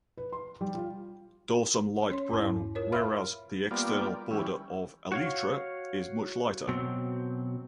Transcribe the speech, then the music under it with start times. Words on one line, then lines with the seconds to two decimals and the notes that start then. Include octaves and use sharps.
Dorsum light brown whereas the external border of elytra is much lighter.
0.18 B4
0.32 C6
0.61 G3
0.75 F4
2.10 C#4 C#5 C6
2.30 E2 G#2 E4
2.75 F4 A#4 C#5
2.92 B4 E5 F5 B5 C6 F6
3.71 G3 A#3 B3 F4 D5
4.31 E3 G3 C#4
5.12 F#4 C#5 F5
6.68 B2 F#3 C4